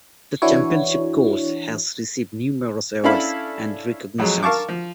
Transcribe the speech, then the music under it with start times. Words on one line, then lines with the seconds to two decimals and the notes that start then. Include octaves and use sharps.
The championship course has received numerous awards and recognitions.
0.42 E3 D4 E4 F#4 C#5
3.04 C#4 D4 E4 A4 F5 B5
4.18 B1 F2 F#3 G#3
4.43 A#4 F5 A5 C#6 D6
4.68 F3